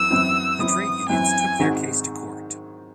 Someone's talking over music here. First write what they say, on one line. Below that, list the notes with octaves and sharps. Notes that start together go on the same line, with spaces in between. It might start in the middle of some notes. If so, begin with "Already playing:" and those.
The trade unions took their case to court.
Already playing: F#2 E3 C4 E6
F#2 E3 C4 E4
F#2 E3 C4 E4 D#6
F#2 E3 C4 E4 G#5
G#2 D#3 G#3 C4 F#4